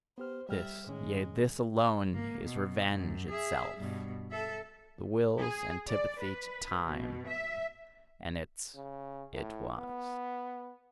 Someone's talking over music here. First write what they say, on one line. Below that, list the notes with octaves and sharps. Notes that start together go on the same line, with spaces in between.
This, yea, this alone is REVENGE itself: the Will's antipathy to time, and its "It was."
B3 G4 C5 F6
G3 E5 G5 F6
A2 D#3 G#3 C#4
A#3
B2
F#2
G#4 E5
G2 B2
A4 E5
G#4
D5
B4
B2
E5
C#3
A2
B3